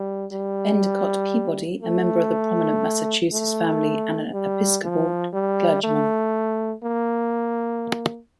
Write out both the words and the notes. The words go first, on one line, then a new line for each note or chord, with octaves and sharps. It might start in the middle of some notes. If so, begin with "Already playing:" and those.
Endicott Peabody, a member of a prominent Massachusetts family and an Episcopal clergyman.
Already playing: G3
G3
A3
A3
G3
F3
G3
A3
A#3